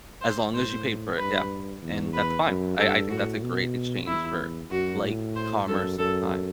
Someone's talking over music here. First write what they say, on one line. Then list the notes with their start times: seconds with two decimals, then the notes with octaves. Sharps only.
as long as you paid for it, yeah, and that's fine. I I think that's a great exchange for, like, commerce and time.
0.21 C5
0.53 A2 C5
1.18 G2 B4
1.82 E2
2.13 B4
2.47 F#2
2.78 G2 A4
3.10 A2 F#4
3.43 B2
4.07 E2 E4
4.70 F#2 F#4
5.03 A2
5.35 C5
5.67 F#2 A4
5.98 F#2 A4